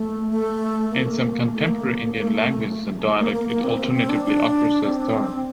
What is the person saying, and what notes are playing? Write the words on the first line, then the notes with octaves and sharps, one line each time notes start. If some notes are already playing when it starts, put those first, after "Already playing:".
In some contemporary Indian languages and dialects it alternatively occurs as "dharm".
Already playing: A3
A3
A#3
A3
A#3
A#3
A3
A3
A#3
A#3
A#3
C4
C4
D4
D4
C4